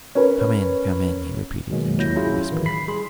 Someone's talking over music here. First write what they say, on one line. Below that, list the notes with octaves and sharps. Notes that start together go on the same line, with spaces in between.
"Come in, come in!" he repeated in a gentle whisper.
C#4 A#4 B4
B2 D#3 F#3 G#3 A#3
D#2 F#3 E4 G6 A#6
F#3 C#4 E4 F4 G#4
A2 D#3 E3
B5 B6 C7
G3 G#4 B5 C6